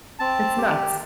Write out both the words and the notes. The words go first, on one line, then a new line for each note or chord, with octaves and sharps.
it's nuts.
C4 A5
G4